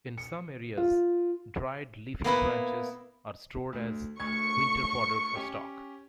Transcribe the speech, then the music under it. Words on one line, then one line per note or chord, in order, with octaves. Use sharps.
In some areas, dried leafy branches are stored as winter fodder for stock.
C#7
F4
A#3 B3 E4 B4
D2
D2 C#6 G#6
C#4 G4